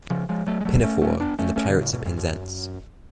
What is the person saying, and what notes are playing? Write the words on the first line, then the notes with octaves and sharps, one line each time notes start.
Pinafore" and "The Pirates of Penzance.
C#3 F3
F3 G#3
F#3 A3
G#3
F#3 A3
A3 C#4
A3 C#4
B3 D4
A3 C#4
A3 C#4
B2 D3
A2 C#3
G#2 B2
F2 G#2
F#2